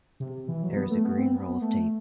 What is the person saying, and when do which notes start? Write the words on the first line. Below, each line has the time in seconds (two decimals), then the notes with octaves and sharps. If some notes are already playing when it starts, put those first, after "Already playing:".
There is a green roll of tape.
0.20 C3
0.48 E3
0.63 F#3
0.77 B3
0.91 A3
1.04 B3
1.18 C4
1.33 B3
1.61 A3